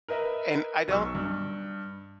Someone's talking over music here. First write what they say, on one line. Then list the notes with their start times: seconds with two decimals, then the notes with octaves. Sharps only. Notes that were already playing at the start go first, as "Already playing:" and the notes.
and I don't
0.08 A#4 B4 D#5 E5
0.88 B1 F#3 C#6 E6
1.15 G2